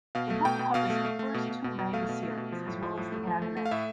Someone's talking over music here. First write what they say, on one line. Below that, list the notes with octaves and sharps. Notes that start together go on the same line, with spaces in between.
The book covers the first two manga series as well as the anime.
B2 F5
A3
B2 G5
B2
B2 F5
A3
A3
A3
B2
B2
B2
B2
A3 F5
B2
A3
B2
F3
A2
F3
A2
A3
F3
A3
A3
F5
A2 E5